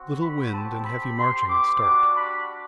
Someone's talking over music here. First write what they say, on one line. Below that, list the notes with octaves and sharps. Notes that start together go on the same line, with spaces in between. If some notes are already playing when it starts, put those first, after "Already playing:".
Little wind and heavy marching at start.
Already playing: C4 F#4
B5
C4 G4 A5
B5
C4 G4 C6
D6
G3 D4 F#4 D6
B5